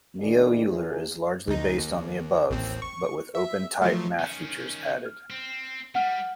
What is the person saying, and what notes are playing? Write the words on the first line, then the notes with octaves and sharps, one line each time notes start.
Neo Euler is largely based on the above, but with OpenType math features added.
D2 D#3 E3 G#4 D5
E2 G#4
D2 D#4
D#2
A1 D#2 C4
C#6
E5
F3 F#3 A3
D#3 C#4
F6
C4
G3 F#5 F6